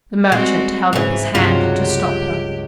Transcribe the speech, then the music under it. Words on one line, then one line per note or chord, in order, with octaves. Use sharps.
The merchant held up his hand to stop her.
G3 G#3 C4 F#4
G#2 C#3 E3
C#2 G2 C3 F#3 D4 F4 G4
G4